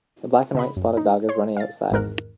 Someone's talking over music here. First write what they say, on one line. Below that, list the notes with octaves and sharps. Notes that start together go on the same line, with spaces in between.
The black and white spotted dog is running outside.
C#3 D#5 B5
F#2
D#4
C#5 C6
F5 A6
G#1 E2 G#2 A#4 F#6